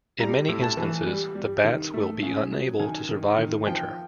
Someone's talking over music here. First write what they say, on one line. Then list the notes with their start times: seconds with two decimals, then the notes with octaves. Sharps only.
In many instances the bats will be unable to survive the winter.
0.20 G3 A#5
0.49 A2
0.63 A5
0.77 E3
1.06 G3
1.35 G3
1.64 D#3
1.94 A3
2.22 C#3
2.52 F#3
2.79 D#3 G#5
3.09 D#3
3.38 D#3
3.67 F3 G5